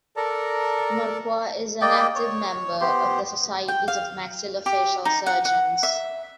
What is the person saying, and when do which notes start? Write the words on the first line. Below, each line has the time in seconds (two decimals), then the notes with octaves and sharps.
Marquardt is an active member of the Societies of Maxillofacial Surgeons.
0.17 A4 A#4 D5 A5 A#5
1.81 A#3 D5 D#5 G5
2.16 C#5
2.81 B3 G4 C5
3.68 G5
3.88 F5
4.66 G4
5.05 D#4
5.26 F#5
5.45 F#5
5.83 E5